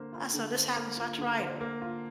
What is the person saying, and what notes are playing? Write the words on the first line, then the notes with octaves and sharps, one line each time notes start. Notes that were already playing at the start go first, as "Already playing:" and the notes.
I so this happened, so I tried her.
Already playing: D3 A#3 C5
F4
D3
C5
A#3
F4
D3
C5
A#3
F4